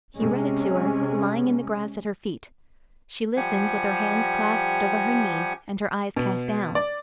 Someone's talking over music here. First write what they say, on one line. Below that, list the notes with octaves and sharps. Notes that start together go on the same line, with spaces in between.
He read it to her, lying in the grass at her feet; she listened with her hands clasped over her knee and her eyes cast down.
C3 G#3 C#4
F3 G3 G4 F#5 G#5
B2
D5